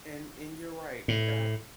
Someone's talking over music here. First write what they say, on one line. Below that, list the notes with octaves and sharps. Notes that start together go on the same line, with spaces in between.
and and you're right, eh, uh,
A2